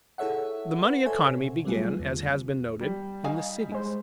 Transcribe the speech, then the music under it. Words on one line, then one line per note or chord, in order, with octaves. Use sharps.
The money economy began, as has been noted, in the cities.
E4 G#4 A4 C#5 E5 F#5
B4 F#5
A4 C5 C#5 E5 F#5 G#5
B2
F#3 G3 A3 B3 F4 G#4
E2 D3
G3
D#4 F5 G#5
G#3 C5